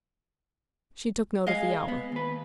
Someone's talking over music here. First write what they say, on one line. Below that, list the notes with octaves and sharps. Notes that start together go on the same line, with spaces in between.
She took note of the hour.
G#3 G#4 D#5 F5
B3
D#2 B4